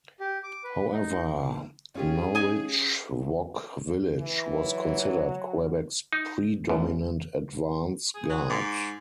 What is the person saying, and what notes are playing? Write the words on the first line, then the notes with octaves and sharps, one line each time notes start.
However, Norridgewock Village was considered Quebec's predominant advance guard.
G4
D6
B4
D#4
C#4 F4 G4 G#4
D#5 G#5
E3
F#3
D#4
A1 F#2
G#4
F#3
G#2 D6